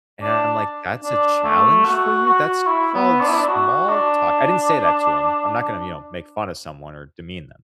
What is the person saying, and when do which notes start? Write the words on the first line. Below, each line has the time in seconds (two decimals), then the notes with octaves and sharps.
And I'm like, "That's a challenge for you? That's called small talk." I didn't say that to him, I'm not gonna, you know, make fun of someone or demean them,
0.22 D4
1.04 D4
1.44 A3
1.85 F#4
2.26 F#4
2.67 E4
2.94 B3
3.21 D4
3.29 E4
3.38 D4
3.48 F#4
3.89 D4